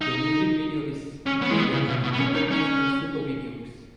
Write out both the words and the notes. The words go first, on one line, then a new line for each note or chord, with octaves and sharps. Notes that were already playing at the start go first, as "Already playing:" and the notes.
The music video is included on "International Supervideos!".
D#4
C#4
B3
G#3
B3
C#3
B2
B2
B3
C#4
D#4
C#4